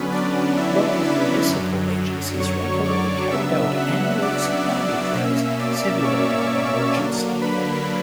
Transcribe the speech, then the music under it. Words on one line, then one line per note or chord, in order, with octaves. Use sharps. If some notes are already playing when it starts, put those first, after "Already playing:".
Local municipal agencies regularly carried out annual tsunami drills simulating an emergency.
Already playing: D3 F#3 B3 C#4 B4
D4 D5
E4 E5
B4 B5
F#2 D3 F#3
C#5 C#6
D5 D6
C#3 F#3 B3 D4 E5 E6
F#5 F#6
D5 D6
E5 E6
B2 A#3 C#4 E5 E6
D5 D6
C#5 C#6
D3 F#3 A#3 D4
B4 B5